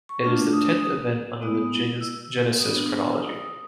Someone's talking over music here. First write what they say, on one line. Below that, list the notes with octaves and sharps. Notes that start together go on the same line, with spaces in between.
It is the tenth event under the Genesis chronology.
C#6
A3 D4 F4
D#6
G#3 B3 E4 D#6
E6
G3 B3 D4 D#6
E6
D#6